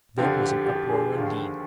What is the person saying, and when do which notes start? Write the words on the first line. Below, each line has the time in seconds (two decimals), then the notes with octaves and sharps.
Then was an uproar indeed.
0.18 F2 D3 F3 G4
0.42 G4
0.66 G4
0.89 G#4
1.14 D#2 D3 F3